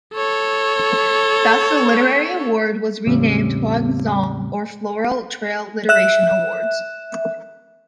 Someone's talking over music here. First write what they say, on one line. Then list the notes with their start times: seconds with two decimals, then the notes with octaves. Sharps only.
Thus the literary award was renamed "Hua Zong" or Floral Trail Literation Awards.
0.14 A4 C#5
3.06 E2 A2 C#3 G3 C4 C#4
5.89 E5 F#6 E7